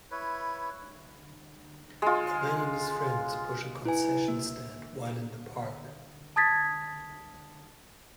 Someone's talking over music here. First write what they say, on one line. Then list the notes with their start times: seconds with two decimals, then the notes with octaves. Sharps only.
A man and his friend push a concession stand while in the park.
0.11 E4 B4 C#5
2.02 G#3 F4
3.85 E4 B4 G#5
4.28 A#3
6.36 A5 D#6 G#6 A6 B6